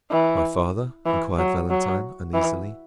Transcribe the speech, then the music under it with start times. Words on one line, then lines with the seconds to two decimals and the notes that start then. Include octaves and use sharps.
"My father?" inquired Valentine, uneasily.
0.11 E3
1.06 E3
1.38 F#3
1.70 F#3
2.34 E3